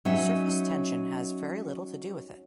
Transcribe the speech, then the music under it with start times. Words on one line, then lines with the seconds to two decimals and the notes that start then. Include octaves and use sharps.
Surface tension has very little to do with it.
0.05 F#3 C#4 D#4 E5